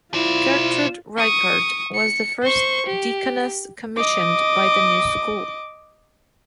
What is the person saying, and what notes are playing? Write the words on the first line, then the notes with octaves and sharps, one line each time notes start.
Gertrud Reichardt was the first deaconess commissioned by the new school.
E4 F4 C5 D5 E7
C#6 D#6
C#7
C5 C#6
G4
D#5 D6